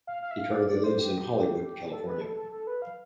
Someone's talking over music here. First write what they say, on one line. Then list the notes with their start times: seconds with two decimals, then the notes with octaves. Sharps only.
He currently lives in Hollywood, California.
0.07 F5
0.22 F5
0.31 E5
0.38 F5
0.53 D5
0.69 D5
0.84 C5
0.99 G4
1.91 A4
2.07 B4
2.21 A4
2.36 A4
2.52 A4
2.67 B4
2.82 F5